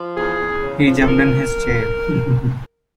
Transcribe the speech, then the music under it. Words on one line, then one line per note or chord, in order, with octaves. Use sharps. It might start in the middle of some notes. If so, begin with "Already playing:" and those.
He jumped in his chair.
Already playing: F3
E2 G#4
E2
C#3
F3
A4
E2 A#4